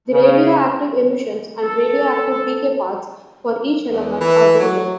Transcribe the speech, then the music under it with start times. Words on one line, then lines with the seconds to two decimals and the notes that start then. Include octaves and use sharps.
The radioactive emissions and radioactive decay paths for each element are well known.
0.12 C#3
1.61 A4
3.89 E2
4.21 E3
4.59 F#3